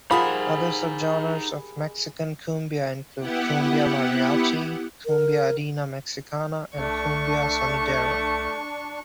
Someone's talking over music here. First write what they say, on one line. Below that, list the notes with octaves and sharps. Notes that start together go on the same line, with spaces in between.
Other subgenres of Mexican cumbia include Cumbia Mariachi, Cumbia Andina Mexicana, and Cumbia Sonidera.
F3 D#4 G4 G#4 A#4 F#5 B5
B3 E4 G4 F#5
A#4
C2 A3 D4 C#6